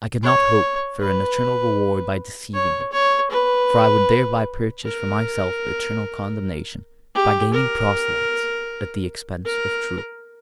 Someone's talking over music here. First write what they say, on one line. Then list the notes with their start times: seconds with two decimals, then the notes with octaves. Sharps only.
I could not hope for an eternal reward by deceiving you, for I would thereby purchase for myself eternal condemnation by gaining proselytes at the expense of truth.
0.23 C#5
0.99 B4
2.54 C#5
2.93 C#5
3.31 B4
4.84 A#4
7.15 G4
7.53 A#4
9.46 A#4